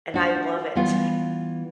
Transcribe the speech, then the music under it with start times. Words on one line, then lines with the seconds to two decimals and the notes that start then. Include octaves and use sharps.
And I love it.
0.14 D4 F#4
0.75 E3 G3 B3 F4